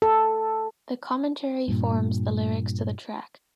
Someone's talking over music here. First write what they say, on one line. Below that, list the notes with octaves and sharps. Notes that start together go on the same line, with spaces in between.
The commentary forms the lyrics to the track.
A4
G2 A#2